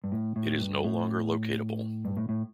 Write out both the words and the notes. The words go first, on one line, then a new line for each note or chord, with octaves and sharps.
It is no longer locatable.
G2
A2
A2
G2
A2
G2
A2
A2